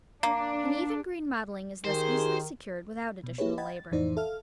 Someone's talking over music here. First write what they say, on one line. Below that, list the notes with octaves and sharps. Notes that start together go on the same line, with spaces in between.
An even green mottling is thus easily secured without additional labor.
A#3 D4
D#3 D#4 G4 G#4 A#4 C5
B2
A#3 E4 G4 G#4 B4 C#5
D#5 F#5 G5 B5 G#6 A6
A6
F2 A2 E3 D#4 C5 D5
A4 E5 F5 F6